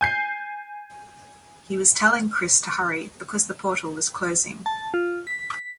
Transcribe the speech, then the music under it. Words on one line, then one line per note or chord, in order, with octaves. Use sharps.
He was telling Chris to hurry because the portal was closing.
G#5 G6 C7
A5
F4
B6